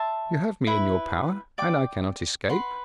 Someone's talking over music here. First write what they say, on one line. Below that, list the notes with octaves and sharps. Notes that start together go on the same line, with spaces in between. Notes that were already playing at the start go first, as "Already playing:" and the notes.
'You have me in your power, and I cannot escape.
Already playing: E5 A5 C6
E4 B4 E5
D5 G5 D6
B4 F#5 C6